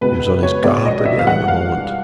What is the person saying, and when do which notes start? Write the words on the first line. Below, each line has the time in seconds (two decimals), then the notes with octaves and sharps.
He was on his guard again in a moment.
0.01 C#2 B2 G#3 B4
0.43 C#5
0.64 C#2 B2 G#3 D5
0.85 D#5
1.05 E5
1.19 F5
1.27 G2 E3 G#3 F#5
1.48 F5